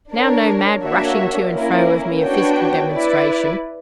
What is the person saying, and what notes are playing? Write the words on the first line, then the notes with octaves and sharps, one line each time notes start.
Now no mad rushing to and fro of mere physical demonstration.
D4 A#4 C#5
A#3 D4 F#4 C#5 E5
A#3 C#4 E4 A#4
B3 D4 F#4 C#5 G5
E4 B4 D5